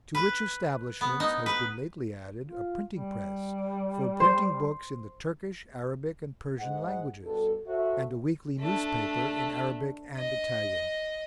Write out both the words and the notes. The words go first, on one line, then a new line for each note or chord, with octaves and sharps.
To which establishments has been lately added a printing press, for printing books in the Turkish, Arabic and Persian languages, and a weekly newspaper in Arabic and Italian.
B4
B3
D#4
B4
F4
G3
C5
G#2 G#3 F#5
G2 B2 A4
F#4 A4 C5 E5
A3 D4
D#5